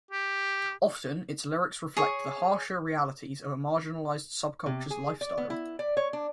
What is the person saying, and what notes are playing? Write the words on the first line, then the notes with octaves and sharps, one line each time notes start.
Often its lyrics reflect the harsher realities of a marginalized subculture's lifestyle.
G4
G#4 C#5
C3
G#4
D5
B3
E4
D5
C#5
D4